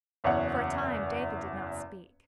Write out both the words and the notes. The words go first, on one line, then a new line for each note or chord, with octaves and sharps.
For a time David did not speak.
F#1 E2 C#5 E5 F#5